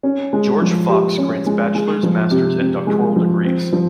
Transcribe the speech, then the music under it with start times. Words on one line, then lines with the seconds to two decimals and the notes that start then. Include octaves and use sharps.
George Fox grants bachelor's, master's, and doctoral degrees.
0.03 C#4
0.33 G#3
0.61 F3
0.89 G4
1.18 C#4
1.46 G#3
1.75 G#3
2.03 F3
2.31 C3
2.60 C3
2.87 G#3
3.16 F3
3.45 C4
3.73 F3